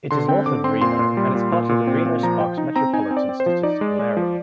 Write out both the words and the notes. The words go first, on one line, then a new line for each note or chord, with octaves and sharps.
It is north of Reno and is part of the Reno-Sparks Metropolitan Statistical Area.
D3 C6
C4 G5
D3 D6
C4 C6
A#2 C6
A#2
G3
A#2
A#2
A#2
C4
A#2
F3 A#5
F3 G5
D#4
C4 A#5
D#4 G#5
C4
D5
C4
C5
F3
D#4 D5
G#3
G#3
F3